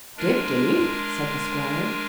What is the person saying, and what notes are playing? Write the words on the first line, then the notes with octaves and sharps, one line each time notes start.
"Dipped in ink!" said the squire.
G#3 D4 F4 A#4